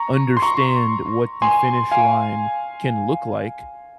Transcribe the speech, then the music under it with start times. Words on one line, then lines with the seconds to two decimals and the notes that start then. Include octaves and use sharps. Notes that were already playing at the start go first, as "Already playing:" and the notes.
understand what the finish line can look like,
Already playing: A#5 C#6
0.37 C6
0.42 A#5 C#6
1.42 G#5 C6
1.91 F5 G#5